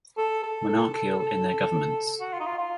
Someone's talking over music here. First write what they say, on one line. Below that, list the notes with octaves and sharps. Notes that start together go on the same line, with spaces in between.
Monarchial in their governments.
A4
A4
A4
A4
A4
F#4
F4
D#4
F4
F4